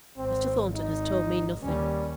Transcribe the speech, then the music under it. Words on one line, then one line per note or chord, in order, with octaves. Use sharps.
Mr. Thornton has told me nothing.
G#1 C4
D#4
D#2 G3 C#4